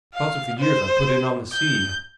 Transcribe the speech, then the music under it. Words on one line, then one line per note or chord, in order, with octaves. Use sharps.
Because of the years I put in on the sea.
F5
C5
G6